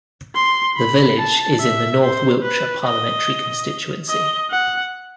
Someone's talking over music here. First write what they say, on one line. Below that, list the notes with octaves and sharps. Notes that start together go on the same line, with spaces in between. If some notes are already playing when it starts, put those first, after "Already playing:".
The village is in the North Wiltshire parliamentary constituency.
C6
B5
A5
E5
C5
B4
D#5
D#5
F#5